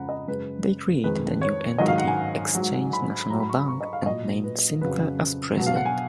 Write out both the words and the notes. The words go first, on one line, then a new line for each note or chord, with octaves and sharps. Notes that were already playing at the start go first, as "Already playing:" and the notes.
They created a new entity, Exchange National Bank, and named Sinclair as President.
Already playing: F2 C#3 F3 G#3 F#5 A#5 B5
D#5
F#2 C#3 G#3 B4
F2 D#3 G#3 B4
C#5
G#2 D#3 F#3 D#5
F5
F#5
G#5
G#2 F#3
B5
G#2 F#3 A#5
B5
C#6
B5
C#6
D#5
F5
A#2 F#3 D#5
B4
F2 C#3 F#3 B4
B2 F#3
F5
F#5
G#5